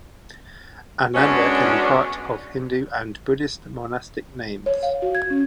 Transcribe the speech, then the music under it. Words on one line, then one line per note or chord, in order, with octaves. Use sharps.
Ananda can be part of Hindu and Buddhist monastic names.
F#2 G#3 B3 C#4 D4
C#5
F5
F#4
G#6
C#4